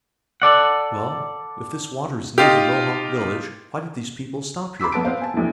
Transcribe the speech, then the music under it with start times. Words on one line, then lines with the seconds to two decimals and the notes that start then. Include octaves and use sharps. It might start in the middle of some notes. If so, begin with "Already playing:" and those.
Well, if this water is near the Mohawk village, why did these people stop here?
0.42 A4 D5 F#5
2.38 D#4 F4 G4
4.80 B5 C6 D6 E6 B6
4.92 F2 B3 A5 D7
5.04 B3 C4 C5 F5
5.21 G#5 A5
5.34 F1 D2 C3 E3